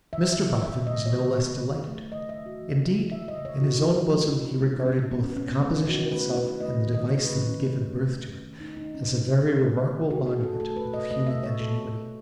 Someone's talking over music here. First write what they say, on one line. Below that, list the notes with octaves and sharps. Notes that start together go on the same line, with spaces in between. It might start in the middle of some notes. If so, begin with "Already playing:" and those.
Mr Boffin was no less delighted; indeed, in his own bosom, he regarded both the composition itself and the device that had given birth to it, as a very remarkable monument of human ingenuity.
D#3 E5
E5
D#3
F#3 E5
A3 D#5
C#5
D#3 B4
D#3
F#3
A3
C#3 D#5
E5
C#3
F#4
E3
A3
C#3 E5
D#5
C#3
C#5
E3 F#4
E4
A3 D#4
E4
G#3 D#4
C#4
B2
C#4
G#3 B3
B2 C#4
G#3 B3
C#4
B2 C#4
B3
G#3 C#4
D#4
B2 F#4
E4
A3 B4
D#3 B4
A3 D#5
D#3
D#5
A3 C#5
B4
D#3 C#4
C#4
A3
D#3
A3
D#3
A3 D#4
D#4
D#3
C#4
A3 B3
D#3
A3
D#3
A3 F#4
G#4
B2
A4
A3 A4
B4
B2
D#5
A3 D#5
E5
B2
C#5
A3 A4
B2